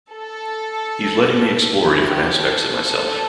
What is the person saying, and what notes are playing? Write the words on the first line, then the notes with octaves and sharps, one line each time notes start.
He's letting me explore different aspects of myself.
A4
E4
G4
A4
A4